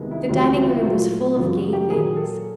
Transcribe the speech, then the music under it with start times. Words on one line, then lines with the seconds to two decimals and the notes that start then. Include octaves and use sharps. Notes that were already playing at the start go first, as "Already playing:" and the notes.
The dining-room was full of gay things.
Already playing: C2 C3 D#3 G#3 B3
0.11 E4
0.29 D2 C#3 E3 G3 F4
0.47 F#4
0.65 F4
0.75 E4
0.83 A#2 F#3 A3 F4
1.36 F#2 C#3 E3 F4
1.55 F#4
1.73 G4
1.90 A#2 F#3 A#3 G#4
2.17 A4